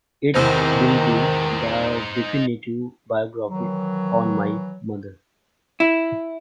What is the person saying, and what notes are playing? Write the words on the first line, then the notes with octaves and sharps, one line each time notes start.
It will be the definitive biography on my mother.
E2 C3 D#3 C4 D#4 C5
D#3 E3 F#3
E4